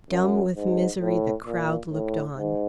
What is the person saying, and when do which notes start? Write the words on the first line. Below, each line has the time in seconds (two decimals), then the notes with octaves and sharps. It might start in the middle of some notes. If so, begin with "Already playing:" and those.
Dumb with misery the crowd looked on.
0.11 F#2
0.56 G#2
1.02 A2
1.46 A#2
1.92 A2
2.37 G#2